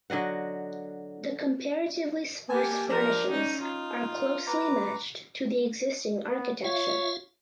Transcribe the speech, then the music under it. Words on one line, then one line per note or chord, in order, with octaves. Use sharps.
The comparatively sparse furnishings are closely matched to the existing architecture.
D3 F#3 D#5 F#5
A#3 G4 G#5 A5
F3 D4 A#4
C#4 D#4
D#4 F4
B4 A#5 D6
B3
F4 C#5 E5 F5